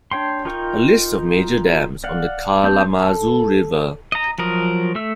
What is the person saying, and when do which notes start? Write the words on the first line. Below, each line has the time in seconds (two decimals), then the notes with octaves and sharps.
A list of major dams on the Kalamazoo River.
0.11 D4 C#5 G5 C6
0.45 D#4 F4 A#4 G5 C#6
2.04 D5 F5 F#5
2.64 C4 D5 A5 E6 G6
2.99 A4
4.12 D#5 A#5
4.38 F3 F#3 A#4 D#5
4.95 A3 E5 E6